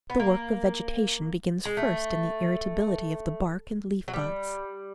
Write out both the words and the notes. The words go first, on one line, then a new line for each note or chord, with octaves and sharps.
The work of vegetation begins first in the irritability of the bark and leaf-buds.
B3
A#3
G#3
A3
F#3
G3